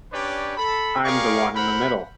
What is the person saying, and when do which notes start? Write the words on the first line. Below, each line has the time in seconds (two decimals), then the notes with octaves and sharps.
I'm the one in the middle.
0.12 C#4 D4 G4 B4 C#5 D5
0.57 A4 B5
1.04 G4 G#4 A#4 D5 F5 C#6
1.56 A#4 C5 F#5 B5